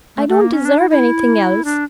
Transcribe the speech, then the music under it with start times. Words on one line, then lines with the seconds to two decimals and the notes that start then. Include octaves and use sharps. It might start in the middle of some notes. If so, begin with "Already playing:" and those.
'I don't deserve anything else.
0.16 A3
0.28 A3
0.41 A#3
0.53 C#4
0.65 D4
0.78 E4
0.90 E4
1.65 D4